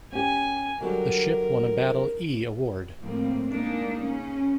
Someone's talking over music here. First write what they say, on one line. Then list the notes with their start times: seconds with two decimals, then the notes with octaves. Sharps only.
The ship won a Battle "E" award.
0.12 C#4 G4 G#5
0.81 D3 F#3 G3 A#4
3.01 A2 F3 G3 A#3 C4
3.47 G#3 A#3 D4 D#4
4.02 C#3 C#4